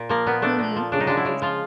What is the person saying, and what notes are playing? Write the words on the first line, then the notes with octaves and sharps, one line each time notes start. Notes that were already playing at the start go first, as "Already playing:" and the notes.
Mhm, yeah, it's
Already playing: A#2
F3 A#3
A#2 B3
A3 D4
A#2
F3
C#3 D4
D#4
G#3 D4
E4
C#3
F3 F4